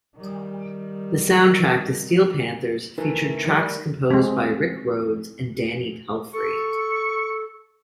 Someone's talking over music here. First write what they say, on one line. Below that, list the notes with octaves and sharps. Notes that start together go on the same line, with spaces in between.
The soundtrack to Steel Panthers featured tracks composed by Rick Rhodes and Danny Pelfrey.
D#3 G3
E3 A3 D#4 A#4
D#3 G3
G#3 C4
A4 C#6